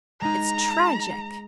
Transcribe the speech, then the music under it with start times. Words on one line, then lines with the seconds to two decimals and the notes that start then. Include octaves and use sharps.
It's tragic.
0.21 G#3 D#4 A#5